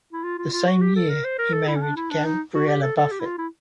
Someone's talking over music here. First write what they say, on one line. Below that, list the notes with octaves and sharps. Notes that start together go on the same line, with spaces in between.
The same year, he married Gabrielle Buffet.
E4
F4
F4
F4
F#4
G4
A4
A#4
C5
A#4
A4
E4
C#4
D4
E4
D4
D#4
F#4
G4
A4
A4
G4
E4
F4
E4